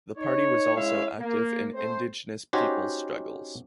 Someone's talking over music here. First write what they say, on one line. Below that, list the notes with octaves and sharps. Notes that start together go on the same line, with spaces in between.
The party was also active in indigenous people's struggles.
D#4 C#5
G#3 C#4 E4 C#5 E5 F5
A#3
A3 C4 A4 C5
C#4 D#4 F#4 G4 C5 C#5